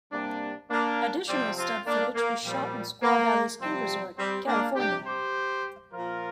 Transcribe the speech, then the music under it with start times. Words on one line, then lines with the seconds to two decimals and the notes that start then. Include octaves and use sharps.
Additional stunt footage was shot in Squaw Valley Ski Resort, California.
0.12 C3 G3 A#3 D4
0.70 A#3 D4
1.28 C3 F3 G3 C4
1.57 C4 F4
1.86 A#3 D4
2.15 A#3
2.44 A#2 F3 G3
3.02 A#3
3.61 C3 F3 G3 C4
4.18 G3 C4
4.47 A#3 D4
4.76 C3 G3 D4 G4
5.06 G4 C5
5.92 A#2 F3 F4 A#4